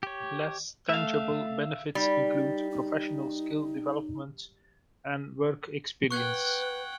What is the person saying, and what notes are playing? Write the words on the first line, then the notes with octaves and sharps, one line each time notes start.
Less tangible benefits include professional skill development and work experience.
G4 C#5
A3 E5 F5
G3 D#4
D#4
B4 F#5 G5 C#6 F#6 G#6